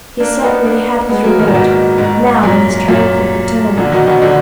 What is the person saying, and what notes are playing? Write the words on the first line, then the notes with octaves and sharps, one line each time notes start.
He certainly had his reward,--now in his triumphant return.
A#3 D4
B3 D#4
A#3 D4
G#3 B3
F#3 A#3
B2 D#3
A#2
G#2 B2
G#2 B2
F#2 A#2
F#2 A#2
A#2 D3
B2 D#3
B2 D#3
D3 F3